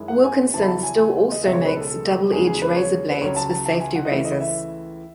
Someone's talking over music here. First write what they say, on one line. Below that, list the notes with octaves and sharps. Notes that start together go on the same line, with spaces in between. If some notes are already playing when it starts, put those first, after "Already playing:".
Wilkinson still also makes double edge razor blades for safety razors.
Already playing: F#2 D#3 G#3 C#4 E4
F#5
G#5
E2 C#3 F#3 C#4 E4 A5
B5
A5
G#5
G#5
D#5
C#2 B2 G#3 E5
C#5
B4
A4
A4
E2 C#3 G#3 G#4
G#4
B4
C#5
B4
C#2 C#3 F#3 C#5
A5
A5
A5
G#5
F#5
D#5
C#2 C#3 E3 A3 E5
D#5
E5